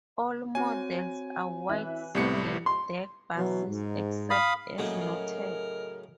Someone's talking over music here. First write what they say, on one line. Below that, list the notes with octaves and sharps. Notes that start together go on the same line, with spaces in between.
All models are wide single-deck buses, except as noted.
C4 F#4 C#5 G#5
E3 E5 F#6
C2 A2 G3 B3 C4 C#7
C6
B2 E3 F#3
G#2
F5 B5 D#6
A2 C#3 F#3 A#3 A4 D#5 G#5
A#4